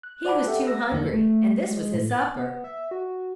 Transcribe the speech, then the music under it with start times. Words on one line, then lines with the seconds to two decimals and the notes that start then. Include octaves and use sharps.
He was too hungry, and this was his supper.
0.03 F#6
0.25 C5 D5 F#5 A5 B5 D6
0.46 G4 A4 E5 F#5 G5
0.67 E6 A#6
0.92 E2 D3 A#3 D#4
1.13 A3
1.70 G#3
1.94 A2
2.10 A6
2.35 B3
2.64 E5
2.91 F#4